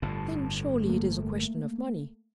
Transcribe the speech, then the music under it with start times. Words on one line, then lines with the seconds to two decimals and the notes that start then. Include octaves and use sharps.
"Then surely it is a question of money."
0.02 G1 A2 A5
0.85 A3 A#3